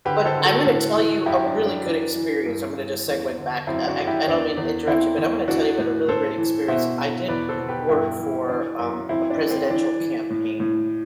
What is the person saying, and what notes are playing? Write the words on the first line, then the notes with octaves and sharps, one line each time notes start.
But I'm gonna tell you a really good experience. I'm gonna just segue back. I don't mean to interrupt you, but I'm gonna tell you about a really great experience. I did work for, um, a presidential campaign
D3 G4 B4
A4 C5
D3
F#4 A4
A2
E3
F#2 E4 G4
D4
F#2
D4
E3 D4
E3
G2
G2
E2
D3
F#2 C4 E4
D4 F#4
F#2
E4 G4
E2 D4
E2
E2 C4 E4
E2
E3 D4 F#4
A2
A2 A4 C5
E3
B2 C5 E5
B2
E2 B4 D5
A4 C5
B2
G4 B4
G2 E4 G4
E3
E3 D4
F#2
E3 C4 E4
D4
E3
C4
E3 D4
E3
A2
A2